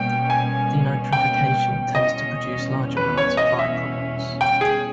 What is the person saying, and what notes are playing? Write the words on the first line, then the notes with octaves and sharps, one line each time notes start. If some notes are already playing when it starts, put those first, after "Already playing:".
Denitrification tends to produce large amounts of by-products.
Already playing: B2 G3 A#3 C#4 G5
G#5
G5
E2 B2 G3 C#4 D#5
B4
C#5
D#5
E5
G5
G#4